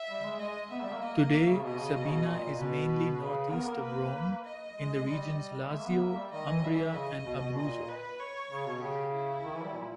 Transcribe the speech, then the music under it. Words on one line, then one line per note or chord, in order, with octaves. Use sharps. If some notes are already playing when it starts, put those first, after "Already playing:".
Today, Sabina is mainly northeast of Rome in the regions Lazio, Umbria and Abruzzo.
Already playing: E5
G3
G#3
G#3 D#5
B3 E5
G3
A#3
A#3 D#5
A#3
A#3 E5
C#3
B2 D#5
C#3
B2
C#3
B2
A#2
B2 B4
C#3
B3 A#4
A#3
B4
D#5
G#3
G#3
G3
G#3 E5
A#3
B3
A#3
G3
D#3 D#5
E3
G3 E5
E3
E3
C#3 D#5
B2
B2
A#2 D#5
B4
C#5
C#3
B2
C#3 G4
E4
D#3
E3
G3
A#2